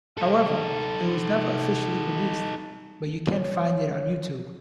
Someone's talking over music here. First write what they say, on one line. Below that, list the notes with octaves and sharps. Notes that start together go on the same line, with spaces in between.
However, it was never officially released, but you can find it on youtube.
D#4 A4
C#5